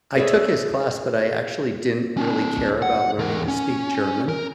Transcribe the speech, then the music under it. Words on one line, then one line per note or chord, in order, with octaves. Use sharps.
I took his class, but I actually didn't really care about learning to speak German.
G#4 A#4 B4 C#5 D5 E5
C#4 D#4
F#5
E2 A#4
C#4
A#4